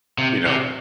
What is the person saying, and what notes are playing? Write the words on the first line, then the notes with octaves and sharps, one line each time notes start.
you know
C3
C3